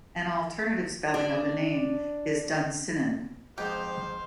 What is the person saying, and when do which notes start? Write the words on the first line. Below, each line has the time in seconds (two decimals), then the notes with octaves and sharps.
An alternative spelling of the name is Dunsinnan.
1.14 D4 D5
3.58 F2 G#2 B3 G4 C5 F5